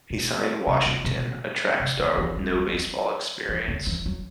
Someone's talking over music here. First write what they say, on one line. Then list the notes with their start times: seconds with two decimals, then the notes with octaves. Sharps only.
He signed Washington, a track star with no baseball experience.
0.10 B2
0.67 C3
0.86 C3
1.05 B2
1.80 C3
1.99 D3
2.17 E3
2.36 G3
2.55 G3
2.74 F#3
3.49 E3
3.68 D3
3.87 E3
4.06 F#3